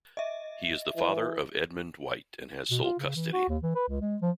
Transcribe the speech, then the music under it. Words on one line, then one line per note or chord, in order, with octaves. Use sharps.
He is the father of Edmund White, and has sole custody.
D#5 E5
E3
B2
F4
C#3
E3
F#4
D#2
E3
B4
C#2
G#3
F3